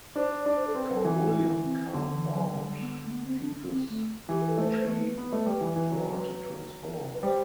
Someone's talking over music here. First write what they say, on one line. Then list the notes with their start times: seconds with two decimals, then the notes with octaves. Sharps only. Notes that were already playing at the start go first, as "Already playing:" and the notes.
Count William carved out fiefs which he granted to his followers.
0.16 D4 C5
0.36 D5
0.46 D4
0.55 C5
0.67 A4
0.75 C4 B4
0.95 A4
1.05 E3
1.14 F#4
1.34 E4
1.63 C4
1.93 D3 B3
2.13 E3
2.32 F#3
2.52 G3
2.67 G3
2.81 B3
3.05 A3
3.11 B3
3.26 C4
3.41 D4
3.70 C4
3.89 A3
4.29 E3 G4
4.42 B4
4.48 A4
4.58 A3 C5
4.68 B4
4.78 C5
4.87 A3 B4
5.17 B3
5.32 A3
5.46 G3
5.61 E3
5.76 E3
5.91 F#3
7.15 B4
7.23 G3 C5